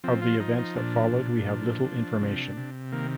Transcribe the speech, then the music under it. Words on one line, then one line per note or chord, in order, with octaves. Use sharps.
Of the events that followed we have little information.
F3 C4
F4
F3 D#4
D#4
A#2 D4
A#2
F3
F3
C3
C3
D#3 A#3